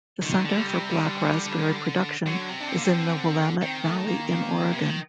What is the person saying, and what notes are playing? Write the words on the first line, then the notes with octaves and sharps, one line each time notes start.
The center for black raspberry production is in the Willamette Valley in Oregon.
D3 D#3
D3
G3
C3
D3
D3 F#3
C3
D4
C4
D3 A#3
C4
D#3 C4
A3
A#3
A#3
C3
D3
D#3